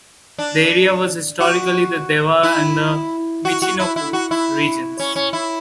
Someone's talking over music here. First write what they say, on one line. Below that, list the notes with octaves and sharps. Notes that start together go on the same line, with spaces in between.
The area was historically the Dewa and the Michinoku regions.
D4
F#4
E4
F#4
F#4
E4
E4
F#4
E4
C#4
C#4
E4